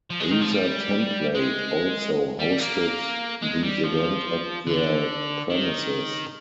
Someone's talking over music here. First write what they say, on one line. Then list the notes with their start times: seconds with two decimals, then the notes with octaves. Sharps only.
Azatemplate also hosted the event at their premises.
0.10 F3
0.20 G#3
0.31 D#3
0.41 F3
0.52 G3
1.35 G#3
2.39 G3
2.59 A#3
3.42 G#3
3.63 G3
3.84 F3
4.67 D3
5.50 D#3